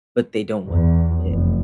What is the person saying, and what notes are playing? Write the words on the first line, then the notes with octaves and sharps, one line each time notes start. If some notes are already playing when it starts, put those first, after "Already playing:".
but they don't want to commit.
E2
F1